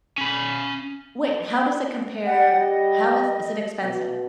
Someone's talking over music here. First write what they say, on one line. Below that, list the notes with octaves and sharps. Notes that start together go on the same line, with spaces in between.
Wait, how does it compare? How is is it expensive?
C#4 B5
G3 F#5
D#5
B2